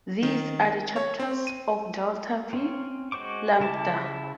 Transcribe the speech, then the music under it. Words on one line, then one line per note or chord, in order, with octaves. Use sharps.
These are the chapters of Delta Phi Lambda.
D#3
C#5
C4
D#7
C4 C#4
G#3 F#4 C5 C#6 D6
C#3 E4 A5 D6